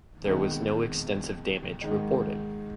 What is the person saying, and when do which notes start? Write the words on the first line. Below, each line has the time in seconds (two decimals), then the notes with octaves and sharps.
There was no extensive damage reported.
0.24 F2 D#3 G#3 B3
1.81 G#2 D#3 G#3 D#4